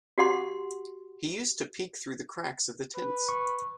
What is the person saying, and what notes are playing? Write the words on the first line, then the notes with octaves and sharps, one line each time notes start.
He used to peek through the cracks of the tents.
F#4 G4 F#5 C6
B4
C#6